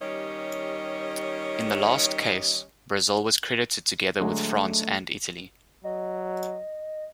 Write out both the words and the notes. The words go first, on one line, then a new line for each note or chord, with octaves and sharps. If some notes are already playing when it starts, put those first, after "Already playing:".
In the last case, Brazil was credited together with France and Italy.
D#3 G3 C#4 G4 C#5 D#5
D3 F#3 G#3 A3
F#3 D#5